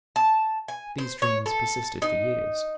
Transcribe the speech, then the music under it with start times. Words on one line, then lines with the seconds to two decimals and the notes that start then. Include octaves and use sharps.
These dreams persisted for years.
0.16 A5
0.68 G#5
0.98 C5
1.22 C#5
1.46 A4
2.02 D#4